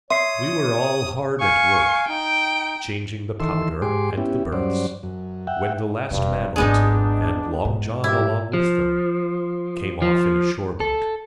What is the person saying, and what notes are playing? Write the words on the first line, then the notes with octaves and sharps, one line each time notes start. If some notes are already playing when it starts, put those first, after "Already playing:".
We were all hard at work, changing the powder and the berths, when the last man or two, and Long John along with them, came off in a shore-boat.
C#5 E5 C6 D#6 C7
F5 G#5 C#6
D#4 G5
D#3 E3 A4 C6 E6
G#2 G4 G#4 C6 D6
B3 C#4 E4 G4
G2 F#3 C#4 C5 D5
F#2
E5 F#5 G5
E1 G2 D#3
D#1 G#1 G#3 B3 D4 D#4
G#2
C2 F3 E4 G4
F3
F3
A4